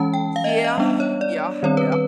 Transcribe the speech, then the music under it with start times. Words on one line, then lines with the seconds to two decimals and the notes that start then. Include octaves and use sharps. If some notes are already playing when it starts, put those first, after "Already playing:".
Yeah. Yeah. Yeah.
Already playing: E3 G#3 C#4 A5
0.14 G5
0.36 F5
0.44 D#5
0.49 E5
0.64 D#5
0.78 G3 B3 D4
1.00 C#5
1.21 D5
1.63 D#3 G3 C4 C#5
1.77 B4
1.92 B4